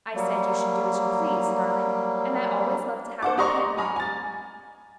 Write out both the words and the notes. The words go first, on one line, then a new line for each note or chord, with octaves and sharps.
"I said you should do as you pleased, darling, and I always love to have my pet near me."
F#3 G3 A#3
C5 F#5 D6
G4 D5 D#5 A#5 C6 C#6
G#5 A#5 B5 F6
G#5 A6